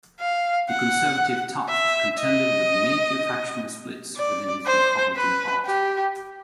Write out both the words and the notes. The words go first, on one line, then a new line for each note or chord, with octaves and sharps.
The conservative Taft contended with major factional splits within his Republican Party.
F5
F#5
E5
D#5
D5
C5
B4
G4